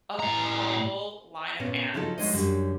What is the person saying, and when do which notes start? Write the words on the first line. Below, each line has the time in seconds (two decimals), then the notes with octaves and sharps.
a whole line of ants
0.19 A2 A#5
1.60 A#2 B3 C#4
1.94 C#3 F3 F#3 D#4 A4
2.18 F#3 G#3 D#4 C5 D#5
2.33 F#2 D3 F#3 G3